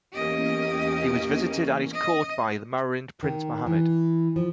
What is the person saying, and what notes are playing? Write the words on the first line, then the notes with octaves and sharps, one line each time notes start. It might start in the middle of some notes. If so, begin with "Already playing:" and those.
He was visited at his court by the Marinid prince Mohammed.
E2 A#3 C#4 G4 D#5
D#5
D#3
E3
F3